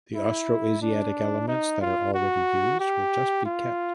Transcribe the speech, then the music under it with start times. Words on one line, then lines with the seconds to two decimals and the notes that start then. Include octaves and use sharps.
The Austroasiatic elements that are already used will just be kept.
0.16 E4
0.82 D4
1.48 D#4
1.81 F4
2.14 F#4
2.80 G4
3.46 F4